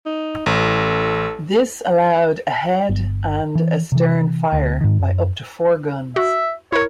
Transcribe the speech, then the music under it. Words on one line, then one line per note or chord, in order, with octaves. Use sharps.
This allowed ahead and astern fire by up to four guns.
D#4
A1 A4
G1
E3
C3 E3
D2
G#2 D#3
F#2
F#4 E5
E4 A#4 C#5